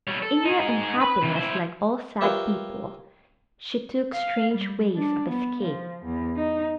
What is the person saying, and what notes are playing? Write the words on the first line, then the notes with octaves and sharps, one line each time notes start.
In her unhappiness, like all sad people, she took strange ways of escape.
G3 C#5
A4
D#4 G#4
B4 B5
C3 E3
E4 C5
F4 G4 A#4 B4 C#5 E5
F5
G3
D4
B3
F3
E2
D#4